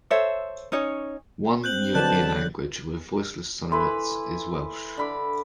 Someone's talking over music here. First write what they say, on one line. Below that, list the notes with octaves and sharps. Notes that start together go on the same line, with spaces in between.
One European language with voiceless sonorants is Welsh.
A4 C5 C#5 E5
C#4 D#4 C#5
C4 F#6 G6 F#7
B2 D3 F#3 B4 D5 A5 F#6
E3 E4 A4 B4 C6
D3 B5 D6